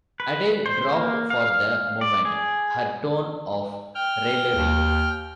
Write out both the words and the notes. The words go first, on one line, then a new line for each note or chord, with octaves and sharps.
Adele dropped for the moment her tone of raillery.
B4
C5
A#3
F5
D5
G#4
G5 F6
D#2